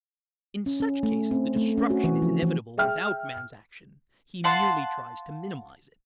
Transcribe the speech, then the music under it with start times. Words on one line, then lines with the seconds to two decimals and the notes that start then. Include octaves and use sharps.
In such cases the destruction is inevitable without man's action; he merely tries to minimize it.
0.66 C#4
0.80 C#4
1.03 A3
1.31 C4
1.57 A3
1.77 C#4
1.90 F#4
2.04 E3
2.22 F3
2.42 E3
2.77 G#4 E5 G5 F6
4.44 F5 F#5 A5 C6